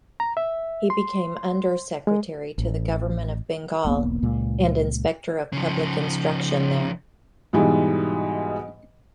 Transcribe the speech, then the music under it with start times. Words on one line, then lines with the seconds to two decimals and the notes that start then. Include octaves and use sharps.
He became under-secretary to the government of Bengal, and inspector of public instruction there.
0.20 A#5
0.37 E5
0.90 C6
2.07 G#3
2.58 A1
3.85 E1 B1 A#3 B3
4.22 C#2 A#2 G#3 A#3
5.53 C#3 F3
7.53 G#2 B2 E3 G3 G#3